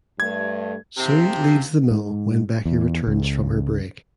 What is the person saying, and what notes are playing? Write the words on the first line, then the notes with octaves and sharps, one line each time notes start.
Su leaves The Mill when Becky returns from her break.
G2 A3 G#6
D#2 C3
G#2
E2
C#2